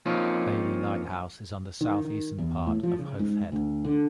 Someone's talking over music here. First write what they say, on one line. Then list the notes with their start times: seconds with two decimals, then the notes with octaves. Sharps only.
Baily Lighthouse is on the southeastern part of Howth Head.
0.06 F3 A#3 C4 C#4 D#4 F4
1.81 D#3
2.05 D#3
2.38 E2
2.67 A2
2.83 F3
2.99 C#3
3.19 G#2
3.52 D2
3.84 D3